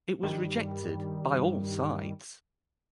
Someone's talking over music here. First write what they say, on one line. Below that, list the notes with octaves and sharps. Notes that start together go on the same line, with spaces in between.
It was rejected by all sides.
G2 D#3 G3